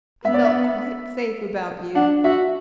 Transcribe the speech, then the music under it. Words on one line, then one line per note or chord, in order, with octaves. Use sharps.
I felt quite safe about you.
B3 E5
D5
E5
D4 F#5
F#4 E5